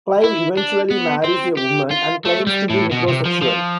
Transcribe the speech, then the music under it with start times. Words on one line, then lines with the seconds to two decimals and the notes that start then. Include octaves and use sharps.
Clive eventually marries a woman and claims to be heterosexual.
0.24 E4
0.57 D4
0.90 B3
1.24 C4
1.57 G4
1.91 F4
2.25 A3
2.47 G3
2.70 A2
2.91 B2
3.08 C3
3.26 F3
3.42 F3